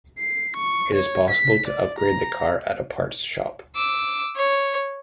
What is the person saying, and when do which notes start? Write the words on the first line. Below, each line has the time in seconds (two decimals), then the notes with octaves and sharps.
It is possible to upgrade the car at a Parts Shop.
0.19 C7
0.57 C#6
0.95 C#5
1.30 B6
1.68 D5
1.99 A#5
3.75 D6 E6
4.36 C#5